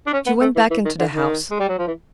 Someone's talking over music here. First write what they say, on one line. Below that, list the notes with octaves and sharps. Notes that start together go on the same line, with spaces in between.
She went back into the house.
D4
C#4
B3
A3
E3
E3
D#3
D3
D#3
G#3
G3
F#3
F3
E3